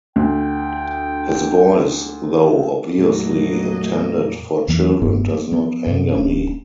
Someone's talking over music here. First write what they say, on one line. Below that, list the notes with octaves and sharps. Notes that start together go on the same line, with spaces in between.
His voice, though obviously intended for children, does not anger me.
D2 G5
F2 A#2 F#3 A3 D#5
E2 E3 A#3
F1 G2 B3
A#3
F3 B3
F#2 C3
D1 C#4 D4